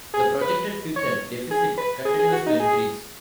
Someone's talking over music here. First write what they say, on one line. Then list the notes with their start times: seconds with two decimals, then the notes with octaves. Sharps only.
The projected future deficit continues to increase.
0.14 G#4
0.41 B4
0.96 C#5
1.51 G#4
1.78 B4
2.05 G#4
2.19 G#4
2.33 F#4
2.46 D#4
2.60 G#4